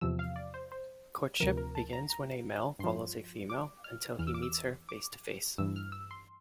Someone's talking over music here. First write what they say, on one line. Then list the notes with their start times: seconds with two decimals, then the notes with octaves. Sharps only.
Courtship begins when a male follows a female until he meets her face-to-face.
0.01 E2 C3 F3 E6
0.19 F5
0.36 D5
0.54 C5
0.72 C5
1.40 D2 C3 F3 A#4
1.57 A#4
1.75 A5
1.93 A#5
2.10 A#5
2.79 G2 F3 C6
3.50 D6
3.84 F6
4.18 E2 E3 F6
4.27 E6
4.34 D6
4.42 E6
4.89 D6
5.58 G2 E3 E6
5.76 F6
5.92 E6
6.11 C6